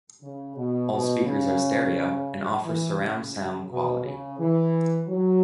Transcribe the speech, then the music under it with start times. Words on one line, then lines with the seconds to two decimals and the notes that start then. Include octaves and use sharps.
All speakers are stereo and offer surround sound quality.
0.22 C#3
0.56 B2
0.91 B2
1.25 C#3
2.65 E3
2.99 C#3
3.70 B2
4.04 C#3
4.39 E3
5.08 F#3